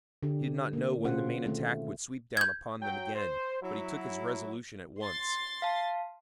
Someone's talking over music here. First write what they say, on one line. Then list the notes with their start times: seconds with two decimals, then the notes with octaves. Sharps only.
He did not know when the main attack would sweep down upon them again, but he took his resolution at once.
0.23 D3 D4 G4
0.73 A#3 D4
1.04 B2 C#4 F4 G#4 C5 F#5
1.46 D#3 A3 C4
2.37 G6 G#6
2.81 F#3 G5
3.15 C5
3.61 F#3 E4
5.02 C6 A6
5.62 F5 A5